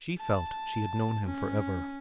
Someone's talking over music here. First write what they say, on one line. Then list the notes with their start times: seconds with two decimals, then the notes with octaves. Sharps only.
She felt she had known him for ever.
0.19 A5
1.26 C#4